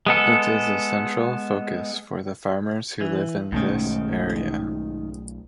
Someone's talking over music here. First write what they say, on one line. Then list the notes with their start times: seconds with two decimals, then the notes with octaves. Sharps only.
It is a central focus for the farmers who live in this area.
0.06 G#3 B3 A4
3.01 E3
3.52 B1 G#2 D#3 A3 C#4